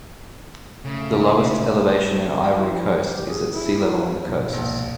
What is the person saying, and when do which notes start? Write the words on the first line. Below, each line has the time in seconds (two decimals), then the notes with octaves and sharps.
The lowest elevation in Ivory Coast is at sea level on the coasts.
0.85 C#3 A3
2.15 A3
2.30 F#3
2.57 E4
2.69 F3
2.99 G4
3.29 G#4
3.53 E4
3.87 F#4
4.26 C2 G#2 B2
4.49 A#1 D#2